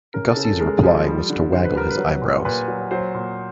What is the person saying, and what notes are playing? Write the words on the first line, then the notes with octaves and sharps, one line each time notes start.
Gussie's reply was to waggle his eyebrows.
C#3 A#4
A4
C#3
A4
G#3 A#4
A4
G#4
F3 A4
G3
D3
D3 C5
B4
G3 A#4
B4
F#3
A#2
A#2 B4
F#3
F#3 C5
A#2